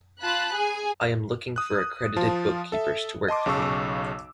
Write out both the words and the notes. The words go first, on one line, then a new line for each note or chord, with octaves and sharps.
I am looking for accredited bookkeepers to work for me.
F4 A5 B5 F#6
G#4 G#5
D#6 F#6
F3 F4 A5
A4 E5
D#5 A5 C6 D6
B1 C#3 A5 C#6 E6